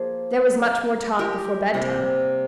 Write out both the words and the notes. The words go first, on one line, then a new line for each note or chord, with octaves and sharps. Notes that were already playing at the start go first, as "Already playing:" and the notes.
There was much more talk before bedtime.
Already playing: F3 A#3 G#4
G4 A#4
C3 G3 A#3